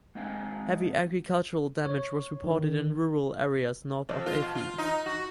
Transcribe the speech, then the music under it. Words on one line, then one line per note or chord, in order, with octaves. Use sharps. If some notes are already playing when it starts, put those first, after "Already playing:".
Heavy agricultural damage was reported in rural areas north of Athens.
G#3 C4 D#4 F5 G#5
C#5
D#3
F2
F4
B2
F4
D#4
F#4